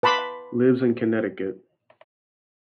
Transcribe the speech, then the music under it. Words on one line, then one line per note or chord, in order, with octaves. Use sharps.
Lives in Connecticut.
B4 A5 B5 C6 D6